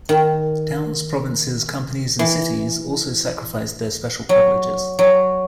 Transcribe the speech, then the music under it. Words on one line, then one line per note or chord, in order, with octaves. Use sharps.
Towns, provinces, companies, and cities also sacrificed their special privileges.
D#3
E3
F#3
F#3